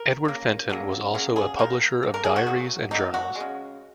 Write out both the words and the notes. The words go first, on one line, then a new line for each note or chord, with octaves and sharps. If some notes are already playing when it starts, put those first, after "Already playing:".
Edward Fenton was also a publisher of diaries and journals.
Already playing: A#4
C#3 A#3
C#3 F#3 A#3
C#3 F#3 A#3
G#4
D#3 A#3 A#4
D#3 A#3
A#4
G#4
F#4
D#3 F#3 A#3
D#3 F#3 A#3 D#4
F#4
C#3 G#3